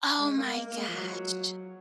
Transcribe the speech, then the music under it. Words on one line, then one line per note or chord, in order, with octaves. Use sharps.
Oh my gosh.
G#3
A#3
A#3
A#3
G#3
F3
F#3